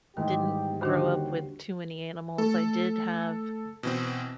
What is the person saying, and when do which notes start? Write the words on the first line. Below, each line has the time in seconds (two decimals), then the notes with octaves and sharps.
didn't grow up with too many animals. I did have,
0.17 G#2 D#3 E3 G3 G#3 G4
0.81 D#2 D3 D#3 G3 D4 F#4 G4 C5
2.38 A3 A4
3.83 B2 E3 C4